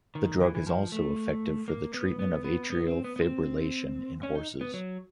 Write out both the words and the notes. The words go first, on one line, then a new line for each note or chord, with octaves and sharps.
The drug is also effective for the treatment of atrial fibrillation in horses.
D#3
E3
E3
F3
A3
A#3
B3
B3
B3
B3
C4
B3
B3
C4
C#4
D#4
B3
F#3